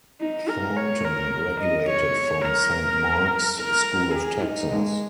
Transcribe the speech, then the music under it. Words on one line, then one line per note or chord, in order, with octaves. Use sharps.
Thornton graduated from Saint Mark's School of Texas.
D#4
A#4
C#5
A#4
D#5
C#5
A#4
A#4
G#4
D#4
G#3